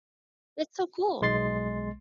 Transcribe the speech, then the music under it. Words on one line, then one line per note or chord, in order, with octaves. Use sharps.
That's so cool.
B1 G#3 C6 A6 C7